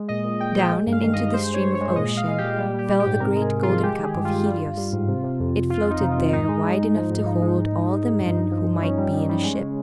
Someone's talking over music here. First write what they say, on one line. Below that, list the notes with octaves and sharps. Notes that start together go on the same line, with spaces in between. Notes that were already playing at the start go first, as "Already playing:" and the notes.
Down, and into the Stream of Ocean fell the great golden cup of Helios. It floated there wide enough to hold all the men who might be in a ship.
Already playing: G#3
A#2 D#5
A#2
A#2 G5
F3 G5
G#3
G2
F5
D#3
G2 D#5
G#3 C5
G2 C#5
G2
C#5
G#3
A#2 D#5
A#2
F5
G#3
G4
A#2
G3 G4
G3 G4
G3
G4
G#2
C3 A#4
G#3
G#4
C3
F3 F4
G#3 G4
D#3 G#4
G2
F4
G2
G3
G3
G3
G#2
C3
C3
F2
F2
F2 F4
F2 D#4
C3
F4
F2
G#2 D#4
G#3
G#2
G#2
F3
G#2
F3
G#3
G#2
G#2
G#2
G#2
G2
G2
F3
F3
G2 C#4
G3
G3
G3
G#3
C#3